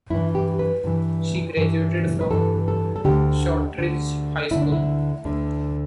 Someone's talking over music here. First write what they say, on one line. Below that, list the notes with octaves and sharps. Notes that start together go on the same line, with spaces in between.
She graduated from Shortridge High School.
G2 E3 E4
G4
B4
G2 E3
G2 E3
B4
G2 E3 A4
A4
A4
D2 D3 G4
D2 D3
D2 D3 E4
D4
E4
D2 D3